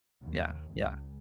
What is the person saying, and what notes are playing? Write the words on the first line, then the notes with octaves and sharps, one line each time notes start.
Yeah, yeah.
D#2
C#2